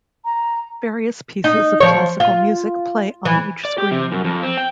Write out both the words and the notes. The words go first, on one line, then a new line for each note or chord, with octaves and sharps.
Various pieces of classical music play on each screen.
A#5
D#4
F3 C#5
F4
E3
D5
G4
C3
F#2
F2
C4
G5